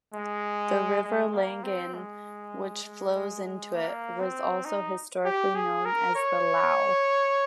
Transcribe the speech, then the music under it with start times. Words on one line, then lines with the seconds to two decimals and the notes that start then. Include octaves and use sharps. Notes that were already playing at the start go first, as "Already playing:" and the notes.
The River Lagan, which flows into it, was also historically known as the "Lao".
0.14 G#3
1.04 G#3
1.34 A#3
1.64 C4
1.94 G#3
2.84 G#3
3.15 G#3
3.45 G#3
3.75 A#3
4.20 C4
4.65 D#4
5.25 G4
5.55 G#4
5.85 A#4
6.16 C#5